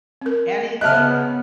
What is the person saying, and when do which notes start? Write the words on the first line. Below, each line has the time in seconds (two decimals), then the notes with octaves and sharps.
any day now.
0.22 C4 A#4
0.81 C#3 B3 D#5 E5 A5 F6 F#6